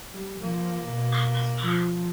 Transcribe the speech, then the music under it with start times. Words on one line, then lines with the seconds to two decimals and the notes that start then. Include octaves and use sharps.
Double Stout"".
0.11 G3
0.42 F3 A#3
0.89 B2
1.65 F3